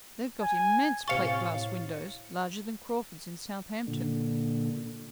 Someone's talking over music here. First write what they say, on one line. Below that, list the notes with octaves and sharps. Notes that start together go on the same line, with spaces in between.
They've got immense plate-glass windows, larger than Crawford's in Southampton.
G#5
A2 C3 F5 C#6 A6 C#7
A#2 D3